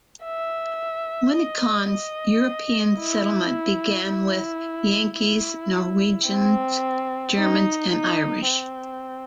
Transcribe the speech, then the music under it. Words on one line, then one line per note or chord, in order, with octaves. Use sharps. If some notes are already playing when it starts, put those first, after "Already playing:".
Winneconne's European settlement began with Yankees, Norwegians, Germans, and Irish.
E5
D#5
D#5
E4
E4
E4
C4
D#4
D#4
C4